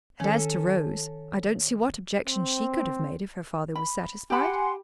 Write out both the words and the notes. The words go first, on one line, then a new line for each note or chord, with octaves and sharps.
And as to Rose, I don't see what objection she could have made if her father was satisfied.'
D#3 C#4 A4
C4
B5
G4 F#5 G#5 B5 C6